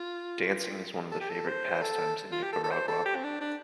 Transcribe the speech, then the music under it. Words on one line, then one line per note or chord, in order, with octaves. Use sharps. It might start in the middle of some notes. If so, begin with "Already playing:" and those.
Dancing is one of the favorite pastimes in Nicaragua.
Already playing: F4
A4
G4
A4
C5
A4
F4
G4
A4
A4
C5
A4
G4
C4
D4
D4